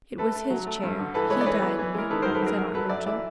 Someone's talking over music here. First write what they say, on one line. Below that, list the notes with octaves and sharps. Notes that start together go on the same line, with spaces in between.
"It was his chair; he died in it," said Aunt Rachel.
A3 A4 B4
A3
F#3
A3
G2
D3
E3 A4 B4
G#3 B4 C#5
D5
E3 B4 C#5
B3
E3
G#3 A#4
D#3 A4 B4
F#2 A#4 C5
A4 B4
F#2 G#4 A#4
F#2
F#3 A4 B4
F#2 D5 E5
E3 D5 E5